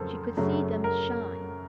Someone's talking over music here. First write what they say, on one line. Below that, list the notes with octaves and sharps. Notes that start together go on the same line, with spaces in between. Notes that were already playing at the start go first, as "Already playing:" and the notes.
She could see them shine.
Already playing: F2 C#3 F#3 A3 A4 A#4 C5
F#2 C#3 F#3 A3
A#4